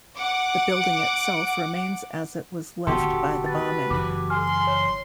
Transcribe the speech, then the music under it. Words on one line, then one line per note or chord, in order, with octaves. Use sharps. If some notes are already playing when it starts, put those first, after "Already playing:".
The building itself remains as it was left by the bombing.
F#5 D6
D#1 D3 B3 F#4 G4 A4 C6
B4 A6
F#1 E3 D6
G#5 C6 F6
C#5